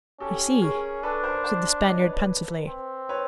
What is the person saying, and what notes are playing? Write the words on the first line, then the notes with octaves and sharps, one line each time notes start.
"I see," said the Spaniard pensively.
C#4 G4 A4
C#4 G#4 A#4
D4 A4 B4
A#4 C5
C5 D5
C#5 D#5
B4 C#5
B4 C#5
C4
B4 C#5